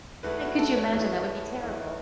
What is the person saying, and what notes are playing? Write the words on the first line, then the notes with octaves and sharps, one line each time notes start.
and could you imagine? That would be terrible.
E2 E3 A3 E4 B4
F#4
A4
C#5
E2 E3 A3 E4
E2 E3 A3 E4